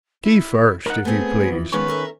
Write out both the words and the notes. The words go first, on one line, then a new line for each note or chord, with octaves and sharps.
Tea first, if you please!
E4
D#4 A#4 F#5
A3 B3 C4 G#4
F2 E3
D#3 F3 G#3 B3 C#4 B4 C#5
A4 A#4 E5